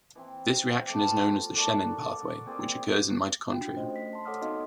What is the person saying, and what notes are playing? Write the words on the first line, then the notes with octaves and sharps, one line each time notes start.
This reaction is known as the Shemin pathway, which occurs in mitochondria.
E3 C4
A3 G4
B3 F4
F#4 A4 A#4 D5
F#5 D6
A#3 C4 G#4 D5
D4 F4 F#4 G5
A3 C#4 C5 D#5
B6
A5 C6
A4 C#5 F#5 D6 D#6 F6
B3 D#4 F#4 D#5 F5 C6